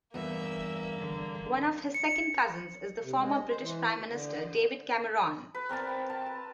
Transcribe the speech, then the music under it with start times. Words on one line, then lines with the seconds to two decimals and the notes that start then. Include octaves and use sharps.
One of his second cousins is the former British Prime Minister, David Cameron.
0.14 E2 G2 A#3 E5
0.98 D3
1.94 C#7
3.02 C3
3.16 G#3
3.48 C5
3.60 E3
3.89 D2
4.09 D3
5.54 B4
5.69 C4 A#4 D5 A5
5.88 G5
6.10 A5
6.26 B4